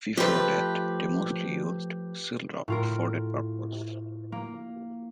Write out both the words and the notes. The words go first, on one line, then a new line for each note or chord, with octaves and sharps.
Before that they mostly used Seal Rock for that purpose.
F3 A3 G4 B4
A2 F4 A#4
A#3